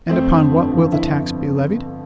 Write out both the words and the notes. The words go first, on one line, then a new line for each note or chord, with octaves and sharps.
And upon what will the tax be levied?
F2 A3 C4
D3
G1
F3
E4